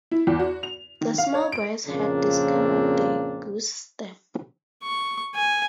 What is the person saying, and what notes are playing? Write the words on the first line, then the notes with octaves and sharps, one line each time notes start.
The small boys had discovered the goose-step.
E4
E2
F#4
F7
D#3
F5
C#5
D7
F2 A#2 C#3 A#3 C4 D4
C#6
G#5